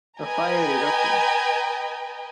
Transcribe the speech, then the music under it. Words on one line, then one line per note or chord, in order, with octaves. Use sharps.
A fire erupted.
B4 D#5 G5 G#5 A#5